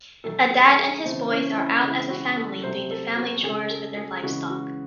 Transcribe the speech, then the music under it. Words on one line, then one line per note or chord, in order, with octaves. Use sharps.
A Dad and his boys are out as a family doing the family chores with their livestock.
D#3 F#3 A3 A4
G#4
G#4
C#3 E3 A3 C4
C#4
E4
C#3 E3 G#3 E4
F#4
A4
C3 F#3 A3 C5
A4
F#4
C#3 G#3 G#4
A4
G#4
C#3 E3 G#3 F#4
F#4